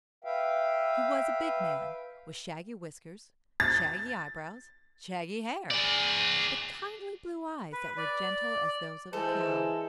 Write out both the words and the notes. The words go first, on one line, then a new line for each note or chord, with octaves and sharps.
He was a big man, with shaggy whiskers, shaggy eyebrows, shaggy hair--but kindly blue eyes that were gentle as those of a cow.
B4 E5 F5 G5
A6
G#4 D5
B4
D5
E3 G#3 G#4 A4 C5